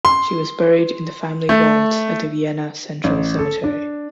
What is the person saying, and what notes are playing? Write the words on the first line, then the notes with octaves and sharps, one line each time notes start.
She was buried in the family vault at the Vienna Central Cemetery.
C6
A3
A1
A4
D4